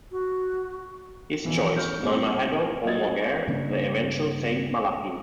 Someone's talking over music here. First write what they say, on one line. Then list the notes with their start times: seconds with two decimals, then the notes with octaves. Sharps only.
His choice: Maelmhaedhoc O'Morgair, the eventual Saint Malachy.
0.12 F#4
1.45 B1 E3 F3
1.76 C#6 F6 G6
2.03 A#1 G3 C4 E4 C6
2.85 F#3 D#5 G#6 A6
3.48 G2 C#3 A#3 D4